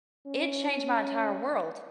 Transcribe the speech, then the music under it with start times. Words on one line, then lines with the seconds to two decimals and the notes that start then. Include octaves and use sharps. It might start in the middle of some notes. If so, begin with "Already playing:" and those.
it changed my entire world.
0.27 C#4